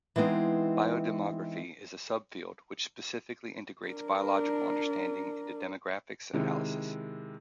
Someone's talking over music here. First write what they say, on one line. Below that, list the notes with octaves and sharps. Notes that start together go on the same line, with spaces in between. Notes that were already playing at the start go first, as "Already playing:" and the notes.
Biodemography is a subfield which specifically integrates biological understanding into demographics analysis.
E3 G#3 B3 C4 D#4
D4 A#4
C3 D#3 G#3 E4